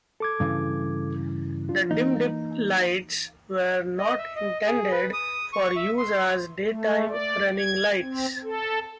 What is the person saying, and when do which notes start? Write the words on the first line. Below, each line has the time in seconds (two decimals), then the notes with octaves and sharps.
The dim-dip lights were not intended for use as daytime running lights.
0.20 A4 D6 G#6
0.40 G2 C#3 E3
1.69 D4 F4
1.91 E3 A#3 D#4
3.98 D#5
4.18 E5
4.36 D#5
4.66 G#4
4.91 B4
5.13 D#6
5.53 C#6
5.76 E5
5.98 C6
6.66 A3
7.08 D5
7.58 G#6
8.00 C4
8.43 A4